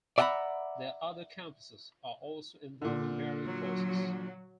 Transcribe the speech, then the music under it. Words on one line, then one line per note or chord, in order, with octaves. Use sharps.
Their other campuses are also involving varied courses.
D5 E5 F#5 G5 A#5 B5
A#2 D3
F#3